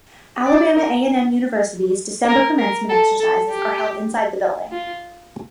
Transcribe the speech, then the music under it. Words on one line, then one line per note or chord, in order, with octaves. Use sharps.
Alabama A and M University's December Commencement Exercises are held inside the building.
D5
A#4
A#4
A#4
A4
A4
G4
F4